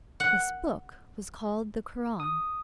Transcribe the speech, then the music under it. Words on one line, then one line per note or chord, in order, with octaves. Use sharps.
This book was called the Koran.
F#5
D#6